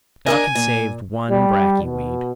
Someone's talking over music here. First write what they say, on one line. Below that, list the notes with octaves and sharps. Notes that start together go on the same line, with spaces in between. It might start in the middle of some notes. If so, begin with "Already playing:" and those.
Doc had saved one bracky weed.
D4 A#4 D#5 G#5
A#2
G3
B2